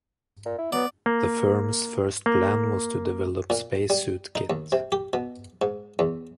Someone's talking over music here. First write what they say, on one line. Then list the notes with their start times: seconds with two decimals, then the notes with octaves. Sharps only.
The firm's first plan was to develop spacesuit kit.
0.46 A#2
0.58 E4
0.72 F#3 B3 D5
1.06 A#3
2.26 A#3
3.50 A#2
3.90 G3
4.35 D#4
4.50 D#2
4.72 C3
4.92 G4
5.13 B2
5.62 G#2
5.99 E2